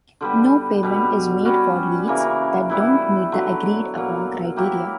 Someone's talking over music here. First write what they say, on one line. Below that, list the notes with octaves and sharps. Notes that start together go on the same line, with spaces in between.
No payment is made for leads that don't meet the agreed upon criteria.
D3 G3 B3
B2 G3 B3
G3 C#4 F#4
C#3 E3 A#3
E3 G3 B3 E4
D3 F#3 B3
B2 F#3 A#3
F#3 A#3 E4 G4